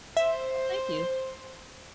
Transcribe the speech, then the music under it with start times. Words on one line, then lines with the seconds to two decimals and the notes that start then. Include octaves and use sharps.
Oh, thank you.
0.17 C5 E5